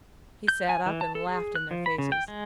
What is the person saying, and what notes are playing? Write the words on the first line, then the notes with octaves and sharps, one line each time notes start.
He sat up and laughed in their faces.
G6
G#5
E3
A5
A4
G#4
F#6
F3
B5
C#3
G5
G#3